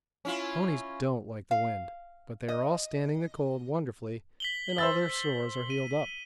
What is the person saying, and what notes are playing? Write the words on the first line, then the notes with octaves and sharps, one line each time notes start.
The ponies don't like the wind, but they are all standing the cold wonderfully and all their sores are healed up.
C#4 E4 F4
F5
D#5
B6 F#7 G7
C5 E6 A6
D#7